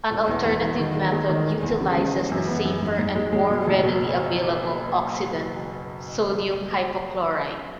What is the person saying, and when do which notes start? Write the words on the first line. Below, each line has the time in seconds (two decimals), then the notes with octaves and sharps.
An alternative method utilizes the safer and more readily available oxidant sodium hypochlorite.
0.11 E1
0.28 E2
0.45 E2
0.62 E2
0.79 D#3
0.96 G#3
1.12 G#3
1.29 D#3
1.46 E1
1.63 E2
1.80 C#3
1.97 G#3
2.14 E3
2.32 F#2
2.48 B3
2.65 F#2
2.81 G#2
2.99 G#2
3.16 G#3
3.33 G#3
3.50 B2
3.67 F#1
3.83 B2